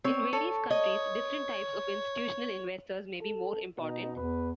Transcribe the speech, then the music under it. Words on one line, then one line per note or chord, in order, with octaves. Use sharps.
In various countries different types of institutional investors may be more important.
C4 C#5
A4 C#5
C#5 D#5
A4
B2 D#4
E2 B4